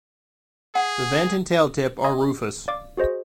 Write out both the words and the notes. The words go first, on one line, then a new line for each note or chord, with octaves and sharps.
The vent and tail-tip are rufous.
G#4 F#5
D#5 C6 D#6 G#6
D5 F5 D6
F#4 G#4 C5 D#5